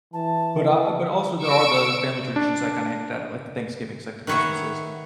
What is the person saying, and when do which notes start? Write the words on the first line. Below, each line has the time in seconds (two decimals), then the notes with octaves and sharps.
But, uh but, also, there are the family traditions that kinda hit that like the Thanksgivings, like the Christmases
0.13 E3 A5
1.43 C#6 E6 D7
2.36 D4
4.27 D#3 B4 C#5 E5 F#5